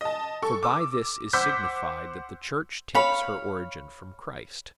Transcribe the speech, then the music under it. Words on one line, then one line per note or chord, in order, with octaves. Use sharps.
For by this is signified that the Church takes her origin from Christ.
D#5 A5
A4 C#6
D6 E6
C5 F#5 D6 E6 G6 B6
C#5 F5 B5